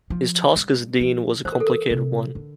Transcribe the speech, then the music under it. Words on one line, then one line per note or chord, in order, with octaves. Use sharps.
His task as dean was a complicated one.
F3
G3
F3
E3 C5
A#4
A4
A#4
C3
D3